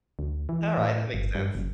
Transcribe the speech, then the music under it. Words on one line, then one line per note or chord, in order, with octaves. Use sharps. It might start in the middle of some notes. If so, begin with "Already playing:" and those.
All right, that makes sense.
D2
E3
A2
G1
G2
F#1